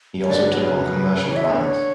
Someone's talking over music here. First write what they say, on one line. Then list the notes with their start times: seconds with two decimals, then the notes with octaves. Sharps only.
He also took on commercial clients.
0.22 C#5
0.30 D3 D5
0.42 F#3
0.47 B4
0.52 F#3
0.63 C#3 B4
0.74 B2
0.85 C#3
0.96 B2
1.13 C#3
1.28 E3 C#5
1.36 E5
1.45 C#5
1.49 D3 B4
1.60 C#5